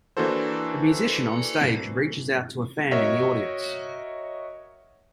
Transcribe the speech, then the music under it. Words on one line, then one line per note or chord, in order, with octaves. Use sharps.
A musician on stage reaches out to a fan in the audience.
E3 A#3 D4 F#4 A4 C5
F#4 A#4 C#5 D#5 E5